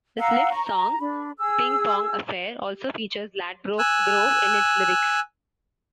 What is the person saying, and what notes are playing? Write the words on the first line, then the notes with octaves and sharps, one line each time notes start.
The Slits song "Ping Pong Affair" also features Ladbroke Grove in its lyrics.
F5 F#5 A#5 E6
A#5 C#6
A#5
D4 B5
G#4 E6
G#5 E6 F#6